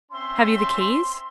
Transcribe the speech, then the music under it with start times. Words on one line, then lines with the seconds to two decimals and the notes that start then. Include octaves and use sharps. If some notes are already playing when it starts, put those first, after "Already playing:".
"Have you the keys?"
0.12 C4 C#4 E5 C6